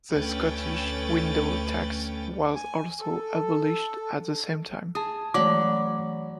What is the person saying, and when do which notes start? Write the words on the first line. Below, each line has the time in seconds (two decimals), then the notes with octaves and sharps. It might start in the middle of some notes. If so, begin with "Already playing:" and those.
The Scottish window tax was also abolished at the same time.
0.11 D2 A3 C#4 B4 G5 A6
2.55 G#5
3.01 A4
4.95 G#4 A5 D#6
5.34 E3 F#3 A3 C#5 D5 B5 D6